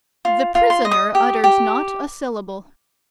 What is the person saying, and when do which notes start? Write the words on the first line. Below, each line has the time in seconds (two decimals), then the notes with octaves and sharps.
The prisoner uttered not a syllable.
0.25 F4
0.55 F4
0.70 C6
0.85 D#5
0.91 D#6
1.15 G4
1.44 G4